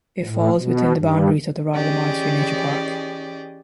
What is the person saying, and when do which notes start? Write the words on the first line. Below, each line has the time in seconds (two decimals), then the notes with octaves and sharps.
It falls within the boundaries of the Rila Monastery Nature Park.
0.22 A2
0.56 B2
0.94 G2
1.73 E3 C#4 G4 G#4 D5 D#5